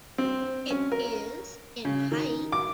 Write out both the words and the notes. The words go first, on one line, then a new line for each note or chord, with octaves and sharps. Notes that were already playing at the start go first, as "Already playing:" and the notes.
It is in height.
C4
C#4
A#4
C#3
D#3
D6